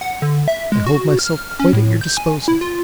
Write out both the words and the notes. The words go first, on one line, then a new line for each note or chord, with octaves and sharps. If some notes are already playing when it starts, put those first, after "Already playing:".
I hold myself quite at your disposal.
F#5
D3
E5
G#3
F#4
F6
C#4
A2
G6
G#5
E4
F4